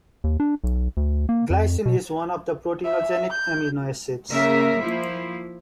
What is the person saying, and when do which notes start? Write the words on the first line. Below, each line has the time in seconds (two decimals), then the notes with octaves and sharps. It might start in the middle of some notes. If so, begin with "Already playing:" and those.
Glycine is one of the proteinogenic amino acids.
0.24 D#2
0.40 D4
0.64 B1
0.97 D2
1.29 A#3
1.50 F2
1.86 B2
2.85 E5
3.30 G6
4.31 C#3 A#3 A#4 E5
4.81 F3 A#3 E4